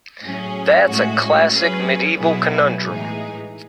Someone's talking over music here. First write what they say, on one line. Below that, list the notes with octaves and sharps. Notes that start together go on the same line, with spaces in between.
That's a classic medieval conundrum.
A2 F#3 C#4 G#4
A2 G#3 C#4 F#4
F#3 C#4 G#4 B4
B2 F#3 B3 E4 G#4
A2 E3 G#3 D#4 G#4